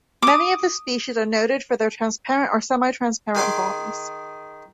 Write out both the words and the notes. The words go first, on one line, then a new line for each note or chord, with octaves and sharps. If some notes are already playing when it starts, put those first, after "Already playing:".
Many of the species are noted for their transparent or semi-transparent bodies.
D6 D#6
D#3 G#4 C6 D6